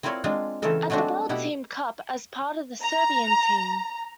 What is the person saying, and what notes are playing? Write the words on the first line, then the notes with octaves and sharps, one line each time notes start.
At the World Team Cup as a part of the Serbian team.
C4 E4 F4 A#4 C#5 D5
G#3 C4 D4 F4
C#3 E3 A3 C4 A4 A#4
F#3 G#3 A3 C4 D4 F#4
B2 E4 G4 F#5
A#5